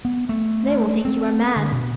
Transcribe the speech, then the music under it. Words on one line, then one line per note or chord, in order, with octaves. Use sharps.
"They will think you are mad."
B3
A3
C4
D3
B2